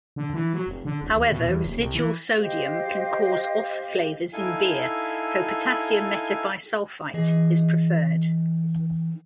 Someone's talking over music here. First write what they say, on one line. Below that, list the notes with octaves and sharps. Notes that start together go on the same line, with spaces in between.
However, residual sodium can cause off flavors in beer so potassium metabisulfite is preferred.
D3
E3
F#3
F1
D3
D1
D#2
B2
E2
D#1
C2
E3
G4 C5 D#5 F5
D#4 E4 A4 F5 G#5
E3 G#4 D#5